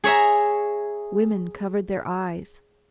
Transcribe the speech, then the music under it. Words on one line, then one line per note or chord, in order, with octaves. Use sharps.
Women covered their eyes.
G#4 C#5 E5 A#5